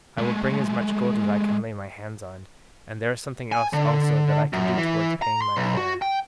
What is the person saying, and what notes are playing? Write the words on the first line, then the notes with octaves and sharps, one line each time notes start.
I will bring as much gold as I can lay my hands on, and there is something else also that I can do towards paying my fare.
G#3 A3
G#5
D3
F#2
E3
A#5
C6
B1
F#4
G5